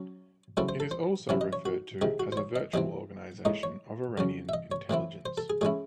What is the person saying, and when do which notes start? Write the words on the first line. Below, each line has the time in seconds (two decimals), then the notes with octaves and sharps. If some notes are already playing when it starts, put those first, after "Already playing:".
It is also referred to as a 'virtual organization' of Iranian intelligence.
Already playing: F#3 C#4
0.57 C#3 F#3 A3 C4 E4 C#5
0.69 C5
0.80 A4
0.91 C5
1.29 C3 F#3 C#4 E4 C#5
1.41 D#5
1.53 C#5
1.65 F#4
2.01 C2 C3 D#3 G#4
2.20 F#4
2.32 C5
2.37 C#5
2.56 D#5
2.74 E2 C3 E3 C4 D#5
3.45 A2 G#3 D#4 D#5
3.63 C#5
4.18 C#3 F#3 C#4
4.49 E5
4.53 D#5
4.72 C#5
4.90 A2 E3 C4 E4
5.26 C5
5.37 A4
5.50 G#4
5.61 A2 G#3 C#4 E4 G#4